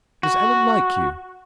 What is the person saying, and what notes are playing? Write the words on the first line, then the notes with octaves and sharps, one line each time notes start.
'Does Ellen like you?'
F#4